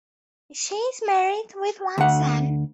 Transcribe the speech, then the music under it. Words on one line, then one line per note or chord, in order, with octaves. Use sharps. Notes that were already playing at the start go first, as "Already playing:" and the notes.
She is married with one son.
D2 F#5